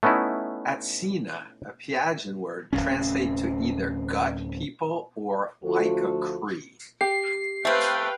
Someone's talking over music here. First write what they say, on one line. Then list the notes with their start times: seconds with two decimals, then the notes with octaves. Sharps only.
"Atsina", a Pieagan word, translates to either "gut people" or "like a Cree".
0.03 A3 B3 C#4 D#4 E4
2.73 D1 G1 C3 C#4
5.63 D2 F3 A3 F4 F#4 A4
7.01 G4 C7
7.65 A3 C4 B4 F5 G5